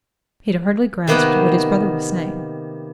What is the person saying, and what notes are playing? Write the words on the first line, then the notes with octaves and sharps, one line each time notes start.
He had hardly grasped what his brother was saying.
C3 D#3 A#3 B3 F#5 G5